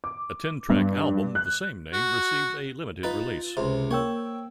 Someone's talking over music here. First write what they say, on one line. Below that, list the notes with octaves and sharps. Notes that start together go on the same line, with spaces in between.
A ten-track album of the same name received a limited release.
D6
G2
F#6
F#4
D#4 F4 B4 A6
C#2 C3 C5
A#3 C#5 G5 E6